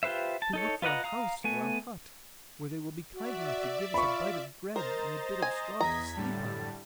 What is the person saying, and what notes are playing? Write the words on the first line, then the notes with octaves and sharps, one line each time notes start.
"To look for a house or a hut, where they will be kind enough to give us a bite of bread and a bit of straw to sleep on."
F4 G4 B4 C5 E5
A5
D#4 A4 C#5
F4 B4 D#5 F#5 A#5
F5 A#5 D#6
A3 B3 G#5
F#4 D5 E5
F4 B5 C#6
A#4 C5 D#5 A#5 A6
G#5
E2 A#5 G#6 B6
A2 D3 G3 A5